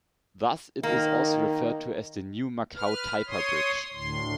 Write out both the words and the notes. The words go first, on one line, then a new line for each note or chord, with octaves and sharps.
Thus it is also referred to as the New Macau-Taipa Bridge.
D#3 A#3
B4 F6
C#5 C6 D#6
D2 A2 C6